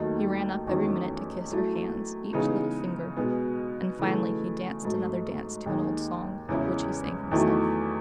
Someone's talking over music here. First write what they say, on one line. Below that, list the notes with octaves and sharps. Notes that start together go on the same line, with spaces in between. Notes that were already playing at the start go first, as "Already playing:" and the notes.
He ran up every minute to kiss her hands, "each little finger," and finally he danced another dance to an old song, which he sang himself.
Already playing: D#2 D#3 F#3 A3 D#4
E2 D#3 A3 C#4 F#4
F#3 A3 E4
C#3 E3 G#3 B3 D#4
B2 G#3 B3
C#3 E3 A3
G#2 F#3 A3
D#2 D#3 G#3 D#4
E2 C#3 G#3 C#4 E4
E2 D#3 F#3 A3 E4